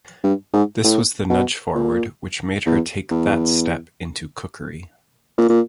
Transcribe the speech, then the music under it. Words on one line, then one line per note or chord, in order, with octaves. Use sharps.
This was the nudge forward which made her take that step into cookery.
G2
G#2
A2
B2
A#2
E2
E2
A#2
A#2